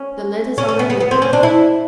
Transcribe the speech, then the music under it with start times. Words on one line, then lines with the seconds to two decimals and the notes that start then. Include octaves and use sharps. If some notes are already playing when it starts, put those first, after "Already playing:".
The lid is already open.
Already playing: C#4
0.58 C#4
0.69 C#4
0.79 B3
0.90 B3
1.00 B3
1.11 C4
1.22 C#4
1.33 D4
1.43 E4